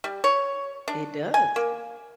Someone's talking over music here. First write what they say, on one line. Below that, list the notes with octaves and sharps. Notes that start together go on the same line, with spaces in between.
It does.
G3
C#5
D4
G#5
A#3